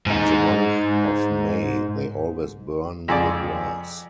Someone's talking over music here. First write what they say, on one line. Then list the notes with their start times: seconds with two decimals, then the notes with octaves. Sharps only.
In the month of May they always burn the grass.
0.06 G#2 D#4
3.08 F2 G#4 D5